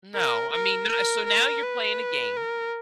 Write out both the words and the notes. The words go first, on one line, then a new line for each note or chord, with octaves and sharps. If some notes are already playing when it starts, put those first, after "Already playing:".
No, I mean, not so now you're playing a game,
A#4
A#4
A#4
A#4
B4
A#4